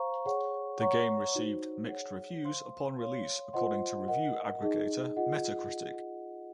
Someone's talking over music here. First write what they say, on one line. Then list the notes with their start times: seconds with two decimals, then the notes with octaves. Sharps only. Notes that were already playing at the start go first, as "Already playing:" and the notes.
The game received mixed reviews upon release according to review aggregator Metacritic.
Already playing: C5 F5 A#5 C#6
0.25 G#4 C#5 F#5 C#6
0.80 C#5 F#5 A#5 C#6
1.35 D#4 F#4 C5
1.89 G#4 C#5 F#5
2.43 C5 F5 C6
2.99 C#5 F5 C6
3.53 F4 C5 D#5 F#5 C6
4.08 A#4 D#5 F#5
4.62 D#4 G#4 D#5
5.16 F4 G#4 D#5 F#5